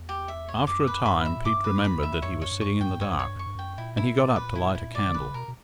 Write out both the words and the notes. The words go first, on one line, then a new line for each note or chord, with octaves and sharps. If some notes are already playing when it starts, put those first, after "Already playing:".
After a time, Pete remembered that he was sitting in the dark, and he got up to light a candle.
Already playing: E2
G4
E5
C#5
F#2 D6
B4
G2 B5
E5
A#2
G2 D6
B4
F#2
B5
E2
E5
F#2 C#5
G2
F#2 C#5
G2
F#2 C#6
G2
F#2 G5
G2
F#2 C#5
G2
F#2 C#5
G2
F#2 C#6
G2
F#2 G5
A#2 E4
E4
D5
B4
E4
E4
D5
D3
B4
C#3
B2 A#4
B2